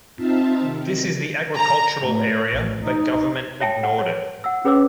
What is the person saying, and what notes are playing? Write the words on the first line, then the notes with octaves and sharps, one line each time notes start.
This is the agricultural area but Government ignored it.
C4 D#4 F4 E5 F5 A5
C3 D#3
A#5
A2
A1
D#4
C#5 E5 G5 A5
F#5
C#5
F#5 E6
C#4 G#4 B4 C#5 D6 E6